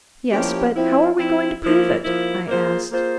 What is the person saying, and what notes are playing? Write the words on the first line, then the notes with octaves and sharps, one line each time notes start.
"Yes, but how are we going to prove it?" I asked.
F3 A#3 C#4 E4 G4
F3 C4 E4
F3 C4 E4
F3 A#3 E4
F3 A#3 E4
A#3 F4 G#4 C5
A#3 F4 G#4 C5